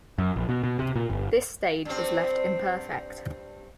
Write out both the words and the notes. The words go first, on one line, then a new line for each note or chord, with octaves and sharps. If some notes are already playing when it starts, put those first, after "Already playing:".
This stage is left imperfect.
F#2
A#1
B2
B2
C3
A#2
G1
G2 C4